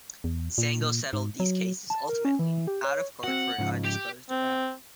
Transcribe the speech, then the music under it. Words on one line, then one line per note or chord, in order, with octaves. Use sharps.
Xango settled these cases ultimately, out of court for an undisclosed amount.
E2
A#2
G#2
F#3
A5
A#4
C#4
E3
G4
C#5
C4 F#4 F#5
G#2 C#3 F3
G4
C4